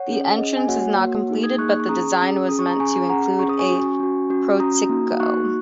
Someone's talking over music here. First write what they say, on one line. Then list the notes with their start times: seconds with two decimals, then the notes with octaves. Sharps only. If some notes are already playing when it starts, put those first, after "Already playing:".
The entrance is not completed, but the design was meant to include a portico.
Already playing: C#5 F#5
0.08 C#4 G#4
0.38 C#4 G#4 D#5
0.57 G#5
0.68 A#3 F#4 C#5 F#5
0.99 A#3 F#4
1.29 A#3 D#4 G#4
1.43 D#6 G#6
1.58 A#3 D#4 G#4 C#6 F#6
1.80 C#6
1.89 C#4 G#4 A#5 D#6
2.19 C#4 G#4
2.49 C#4 G#4 D#6
2.59 C#6
2.70 A#5
2.79 C#4 G#4 G#5 C#6
3.09 C#4 G#4 F#5 A#5
3.39 C#4 G#4 C#6
3.49 D#6
3.59 G#5 C#6
3.70 C#4 F#4
4.00 C#4 F#4
4.30 C#4 F#4
4.60 C#4 F#4 A#5 D#6
4.90 A#3 D#4 F#4
5.20 A#3 D#4 F#4 C#6 F#6